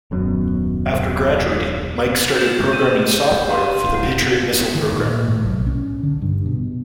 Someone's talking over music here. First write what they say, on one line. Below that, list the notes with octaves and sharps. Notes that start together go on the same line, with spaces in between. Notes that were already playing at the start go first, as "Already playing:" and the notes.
After graduating Mike started programming software for the Patriot Missile program.
D#1 F#2 B2
G6 E7
D#7
G4 F5 C6
E4 F#5
D#3
A#2
A2
B1
C#4
D3
G2
B2